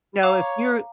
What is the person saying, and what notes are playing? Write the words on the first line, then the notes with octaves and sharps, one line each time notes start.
You know, if you're
C#5 F5 A#5 D6